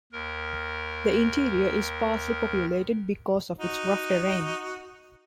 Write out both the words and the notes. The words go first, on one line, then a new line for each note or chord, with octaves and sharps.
The interior is sparsely populated because of its rough terrain.
D#2 A#4
D#4 F#4